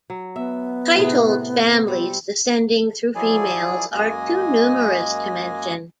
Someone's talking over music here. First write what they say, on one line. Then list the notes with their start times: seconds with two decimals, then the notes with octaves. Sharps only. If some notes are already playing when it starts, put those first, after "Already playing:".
Titled families descending through females are too numerous to mention.
0.10 F#3
0.36 B3 E5
0.96 A2 C3 G#4
1.88 G3 C4
3.15 F3 F#3 E4 G#4 D5 G#5
3.92 F#2 G#3 A#3 D#5 G#5